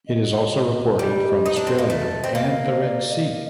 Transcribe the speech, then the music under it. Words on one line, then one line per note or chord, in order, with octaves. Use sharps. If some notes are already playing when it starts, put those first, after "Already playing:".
It is also reported from Australia and the Red Sea.
D#5
G3
D#4
D4
C4
A#3
A3
C4
A#3
C5
D5
D#5